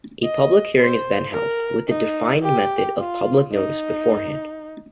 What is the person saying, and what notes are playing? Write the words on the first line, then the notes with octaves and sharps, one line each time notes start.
A public hearing is then held, with a defined method of public notice beforehand.
D#5
C5
A#4
D#4
G4
F4
D#4